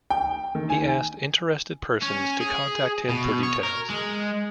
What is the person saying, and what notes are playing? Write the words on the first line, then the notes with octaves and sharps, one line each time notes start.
He asked interested persons to contact him for details.
G5
D#3
G#5
C#4
G#4
B2
C#5
A#4
G#3